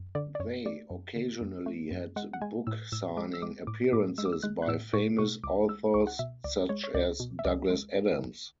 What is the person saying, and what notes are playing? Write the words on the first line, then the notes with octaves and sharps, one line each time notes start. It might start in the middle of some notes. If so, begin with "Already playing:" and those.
They occasionally had book signing appearances by famous authors such as Douglas Adams.
Already playing: F#2
D3 D5
D5
F#2 C#5
A3 D5
F#2
D3
F#2
A3
F#2
G#3 F#5
F#5
G#3 G#5
A2 E6
A2 E6
G#3 D6
E6
G#3 D6
A2 D6
A2 D6
G#3 E6
D6
E6
G#3 F#6
F#6
A2 E6
A2 C#6
B2 C#6
C#2 D6
G#3 E6
C#2 C#6
F#5
B2 E5
C#2 D5
G#3 C#5
C#5
C#2 D5
B2
E5
C#2 D5
G#3